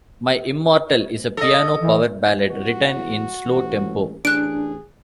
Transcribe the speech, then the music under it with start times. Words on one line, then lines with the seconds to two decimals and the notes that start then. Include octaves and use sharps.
"My Immortal" is a piano power ballad written in slow tempo.
1.37 A4 D#5
1.81 E3
2.51 C2 F#4
2.96 E2
3.45 A1
4.25 A1 D4 G#4 F#6 D7